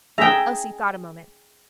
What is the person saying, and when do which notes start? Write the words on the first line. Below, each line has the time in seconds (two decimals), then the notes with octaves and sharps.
Elsie thought a moment.
0.18 G#4 E5 G5 A#5